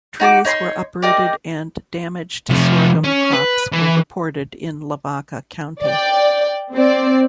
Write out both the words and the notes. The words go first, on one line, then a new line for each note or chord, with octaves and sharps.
Trees were uprooted and damage to sorghum crops were reported in Lavaca County.
D#4 F#4 A5 D6
D#4 C#5 B5 C6
D#4 G4 A#4 D5
C3 F3
C#4
B4
E3
D5 G5
C4 D5